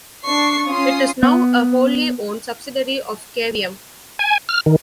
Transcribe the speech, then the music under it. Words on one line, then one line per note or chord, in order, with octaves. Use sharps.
It is now a wholly owned subsidiary of Cavium.
D4 C#6 C7
C#4 F4 C6 D#6 C7
B3
G#5
F6
D#3